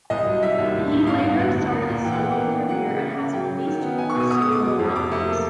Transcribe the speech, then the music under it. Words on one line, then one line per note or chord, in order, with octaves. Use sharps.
He later started a solo career and has released four solo albums.
C2 D#5
F#3
G3 E5
D#2
A2
A2
G2 F5
B3
D2 F#5
D2
A#3
A#2
E3 G5
F#5
B3 G5
A#3
A#3
F#3 F#5
C#3
C#3
C#3
F#3 G5
F#3
D#3
B3
B3 G#5
C#6
B2
D#6
B3 D#6
D#6
B3
D6
F#3
F2
C3 D6
A3
A#3